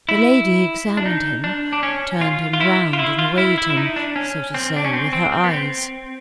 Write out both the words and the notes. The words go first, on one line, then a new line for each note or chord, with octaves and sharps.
The lady examined him, turned him round and weighed him, so to say, with her eyes.
E4
D4
D#4
D4
D4
C#4
F4
F4
E4
F4
E4
F4
E4
E4
E4
D#4
D4
C#4
C4
D4
C#4
C4
C4
C4
B3
C4